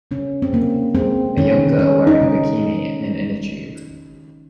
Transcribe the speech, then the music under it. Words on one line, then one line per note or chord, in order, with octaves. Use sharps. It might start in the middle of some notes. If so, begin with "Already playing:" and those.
A young girl wearing a bikini in an innertube.
C#3 C#4
C4
C#3 A#3
G#3 C4
D#3 C#4
G#3 C#4
D#4
C#3